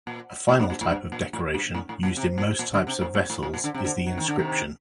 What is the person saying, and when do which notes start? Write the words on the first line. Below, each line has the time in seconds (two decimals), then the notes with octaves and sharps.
A final type of decoration, used in most types of vessels, is the inscription.
0.07 A#2
0.49 A2
0.60 G2
0.70 A#2
0.81 A2
0.91 G2
1.12 A#2
1.33 A2
1.54 G2
1.74 A2
1.89 A2
2.03 A#2
2.17 C3
2.38 A#2
2.59 A#2
2.74 D3
2.87 C3
3.01 A2
3.15 A#2
3.30 A2
3.43 A2
3.54 A#2
3.64 D3
3.74 C3
3.85 D3
4.06 F#3
4.18 D#3
4.28 D3
4.39 C3 D#3